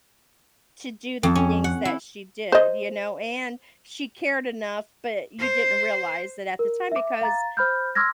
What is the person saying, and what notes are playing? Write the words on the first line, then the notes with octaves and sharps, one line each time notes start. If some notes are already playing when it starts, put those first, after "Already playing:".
to do the things that she did, you know, and she cared enough, but you didn't realize that at the time because,
F2
C#4
F#5
E4
C5 D#5
C5
A#4
E5 D6
F5 A#5 A6
C5 B5 F6 G6
C6 D6 E6 F6 G#6 A#6